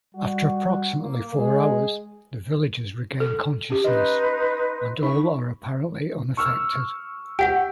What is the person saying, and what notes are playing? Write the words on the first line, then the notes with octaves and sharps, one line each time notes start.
After approximately four hours, the villagers regain consciousness, and all are apparently unaffected.
G3 F#4
A#3
G#3 G#4
A4
C#4 G4
D#4 B4 D#5 C6
D#4 B5 C#6
C#6 E6 F6
G4 F#5 D7